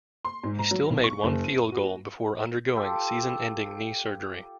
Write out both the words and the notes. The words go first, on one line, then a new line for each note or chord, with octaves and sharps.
He still made one field goal before undergoing season-ending knee surgery.
C6
G#2
A#5
F#3
B1
C#6
F#1
D#7
F#4
F4 G4 A4